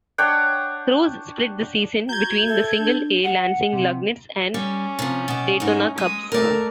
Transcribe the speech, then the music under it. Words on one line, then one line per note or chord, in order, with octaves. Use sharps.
Cruz split the season between the Single-A Lansing Lugnuts and Daytona Cubs.
D4 C#5 F#5 G5
F#4 A#5 G6 G#6
A4 E5
D4
F#5
C3
G3 C#4
C3 F3
B2 G4
G#2 D#4
G#3 D#6
A3 A#4 D5